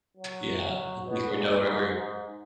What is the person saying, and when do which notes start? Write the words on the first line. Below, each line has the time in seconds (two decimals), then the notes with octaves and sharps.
Yeah. I think we're nowhere where y
0.17 F#3
1.06 B2
1.35 A#2
1.65 G#2
1.94 G#2